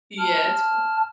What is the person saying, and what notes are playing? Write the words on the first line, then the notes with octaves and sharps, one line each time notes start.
Yeah, it's fun.
A5 F6